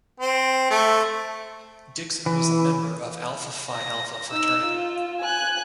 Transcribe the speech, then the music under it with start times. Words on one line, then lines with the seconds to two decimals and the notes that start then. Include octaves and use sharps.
Dixon was a member of Alpha Phi Alpha fraternity.
0.20 C4
0.70 A3
2.26 E3
3.72 A#6
4.31 D#4 E6
4.65 F4
5.21 G#5 F#6